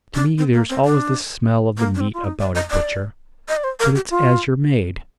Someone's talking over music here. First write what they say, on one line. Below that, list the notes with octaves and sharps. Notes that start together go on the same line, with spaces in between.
To me there's always the smell of the meat about a butcher. But it's as you're made.
D4
C4
A#3
C4
D4
A#3
D4
C4
F4
D#4
D5
D#5
D5
D#5
D5
C5
A#4
G4
F4